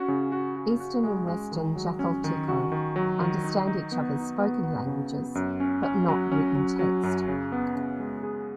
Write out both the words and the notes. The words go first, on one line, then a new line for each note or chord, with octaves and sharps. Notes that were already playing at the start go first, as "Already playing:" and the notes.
Eastern and Western Jakalteko understand each other's spoken languages, but not written text.
Already playing: C#4 F#4
C#3
F#4
F#4
F#4
G#3
G#3
D#3
F#3
C#4
D#3
F#4
D#3
F#3
D#3
D#4
D#4
B3
D#4
B3
B3
C#3
B3
F#2
C#4
C#4
F#3
C#4
F#3
F#3
F#2
C#3
B3
C#3
G#3
G#4